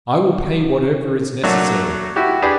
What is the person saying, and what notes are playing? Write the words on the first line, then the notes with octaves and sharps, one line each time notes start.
I will pay whatever is necessary.
F#3 A3 A#3 D4 F#4
E4 F#4 G4
D4 G4 G#4 B4 D5